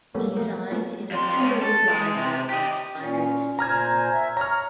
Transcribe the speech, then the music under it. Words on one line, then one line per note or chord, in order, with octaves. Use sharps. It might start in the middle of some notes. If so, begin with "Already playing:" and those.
Designed in a Tudor revival inspired style.
F#3 G3 A#3 B3 A4 C#5
F3 A3 A#4
B3 F4 C#5
F2 C6
G#3 C#4
A4
G#3
C3
G4 D#5
A#2 C#4
A#2 C5 G#5 A#5 F6 G#6
E5
C#5 A#5 F6